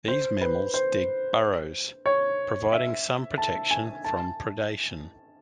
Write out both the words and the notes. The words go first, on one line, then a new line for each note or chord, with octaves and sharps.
These mammals dig burrows, providing some protection from predation.
C5
B4
C5
C#5
E5
A5
G#5
A5